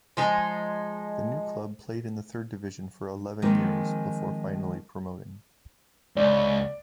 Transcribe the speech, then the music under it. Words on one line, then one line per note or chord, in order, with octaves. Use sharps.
The new club played in the third division for eleven years, before finally promoting.
F3 G#3 D#4
D#3 F3 G#3 A#3 C4 D#4
C#2 D5